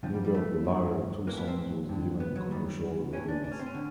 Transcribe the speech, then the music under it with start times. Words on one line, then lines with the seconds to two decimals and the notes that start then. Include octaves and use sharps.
Neither of the latter two songs was given a commercial release.
0.03 F2 D3 F3
0.14 G3
0.25 G3
0.35 A3
0.65 G2 D3
1.27 E3 A#3
1.32 A2
1.37 B3
1.48 C4
1.89 G2 D3
2.20 B3
2.36 F#3
2.51 F#2 D#3 G3
3.13 A2 E3 C#4
3.28 D4
3.44 D4
3.52 C#4
3.60 C4
3.66 C#4
3.75 D3